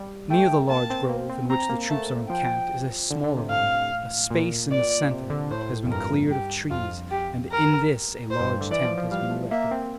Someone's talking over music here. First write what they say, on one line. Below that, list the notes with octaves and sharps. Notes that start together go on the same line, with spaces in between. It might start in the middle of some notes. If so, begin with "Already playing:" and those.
Near the large grove in which the troops are encamped is a smaller one. A space in the centre has been cleared of trees, and in this a large tent has been erected.
Already playing: G3
A3 G5
A#3 A5
C4
A#3
C4
C4 A#5
A#3
A3 A5
F3 G5
D3
D3
C3
A2 F5
A#2
D5
C3
D3
A2 C5
F2
G2 A#4
G4
F2 F4
G4
A#4
A2 C5
G2
G2
D3
E3 D5
F3
F3
G3 F5
A3
A#3 E5
C4
C4